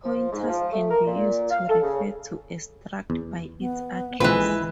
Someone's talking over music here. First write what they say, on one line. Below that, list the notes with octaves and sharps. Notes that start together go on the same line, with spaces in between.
Pointers can be used to refer to a struct by its address.
F3
G#2
F3
A3
A#4
A#2
F5
A4
C#3
E2
B3
A#1 E3 F3 G#3 C4 B4